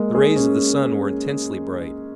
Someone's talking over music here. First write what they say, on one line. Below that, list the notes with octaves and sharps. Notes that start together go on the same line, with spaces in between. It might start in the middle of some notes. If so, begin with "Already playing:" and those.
The rays of the sun were intensely bright.
Already playing: G#3 A#3
G#4
C#4